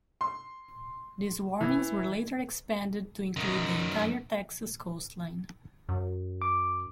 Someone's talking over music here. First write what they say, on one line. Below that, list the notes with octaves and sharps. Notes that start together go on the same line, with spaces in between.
These warnings were later expanded to include the entire Texas coastline.
C6
E3
F#2 D#3
F#2
D6